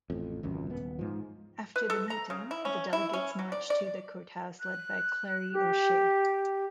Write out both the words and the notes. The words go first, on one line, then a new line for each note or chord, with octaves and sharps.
After the meeting the delegates marched to the courthouse led by Clarrie O'Shea.
A1 F2
G#1 C#2 F#2
D#1 B3
G#2 F3
B4
A4
A#5
C#3
E4
C#4
E4
C#4
F#3
D5
D5
F#6
G4